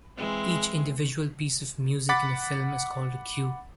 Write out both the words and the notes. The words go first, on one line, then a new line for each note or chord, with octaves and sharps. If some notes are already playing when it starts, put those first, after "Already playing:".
Each individual piece of music in a film is called a "cue".
E3 G#3 C4
F#5 B5 D6 A6 B6